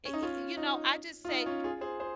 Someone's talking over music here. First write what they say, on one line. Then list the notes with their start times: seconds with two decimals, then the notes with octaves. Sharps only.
I i i you know, I just say,
0.05 C#4
0.13 D#4
0.22 C#4 F4
0.57 D#4
1.25 F4
1.29 D#4
1.46 C#4 F4
1.64 F4 G#4
1.81 G#4 C5
2.00 G#4 C5